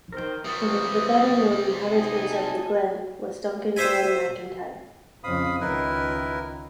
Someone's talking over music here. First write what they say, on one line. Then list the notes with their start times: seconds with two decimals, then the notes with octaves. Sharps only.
One of the better known inhabitants of the glen was Duncan Ban MacIntyre.
0.12 D#3 A#4 C5 G5
0.45 C3 E3 F#3 G3 F4 B4 C#5 D#6
1.92 D#4 G#4 D#5 G5 G#5
2.30 A5
3.77 C5 E5 G#5
5.24 F2 C#3 F5 B5 D#6
5.61 C#2 D#3 E4 A#4 B4